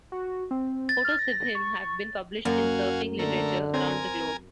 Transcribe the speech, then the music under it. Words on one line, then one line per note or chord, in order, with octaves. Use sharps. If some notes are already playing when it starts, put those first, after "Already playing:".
Photos of him have been published in surfing literature around the globe.
F#4
C4
A6
F6
A#6
C#6
F#2 A#3 F#4 F5 G#5
D3 A3 A#4
C4 A#4 G#5